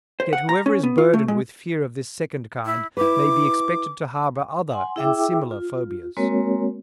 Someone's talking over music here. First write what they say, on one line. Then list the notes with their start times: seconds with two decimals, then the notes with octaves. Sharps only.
Yet whoever is burdened with fear of this second kind may be expected to harbor other and similar phobias.
0.20 C5
0.33 F#5
0.49 A#5
0.66 C#4
0.83 B3
0.98 F4
1.14 A3
1.28 G#3
2.66 E4
2.97 E4 B4 D6
4.71 F#5 G#5 C6
4.96 E4 G#4 E5 G5 D6 E6
5.51 F4
6.17 G#3 A#3 C4 F#4 A#4 C#5